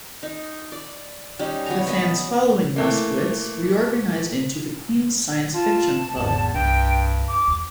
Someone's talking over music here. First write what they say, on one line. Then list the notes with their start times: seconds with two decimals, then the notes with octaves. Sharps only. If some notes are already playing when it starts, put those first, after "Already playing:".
The fans following Moskowitz reorganized into the Queens Science Fiction Club.
0.23 D#4
0.72 D5
1.39 G3 C#4 D#4
1.66 F#3 B3 G#5 A#5
1.87 B3 D#5 E5
2.76 E3 A3 A#3
5.54 F4 A5
6.16 G#1 E2
6.54 C2 G2 G5
7.28 D6
7.47 E2